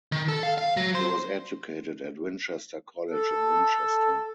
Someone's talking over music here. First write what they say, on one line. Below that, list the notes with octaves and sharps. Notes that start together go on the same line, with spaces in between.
He was educated at Winchester College in Winchester.
D#3
A4
F5
F5
F#3
C5
A4